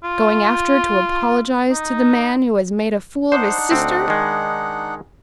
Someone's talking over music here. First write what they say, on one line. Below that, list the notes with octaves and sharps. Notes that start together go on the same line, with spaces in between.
Going after to apologise to the man who has made a fool of his sister!
F4
D#4
D4 D#4 C5 F#5
D2 C4
D#3 G#3